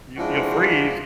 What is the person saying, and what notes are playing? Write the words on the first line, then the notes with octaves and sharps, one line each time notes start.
you’ll you'll freeze.
F3 G#3 D4 E4 F#4 C5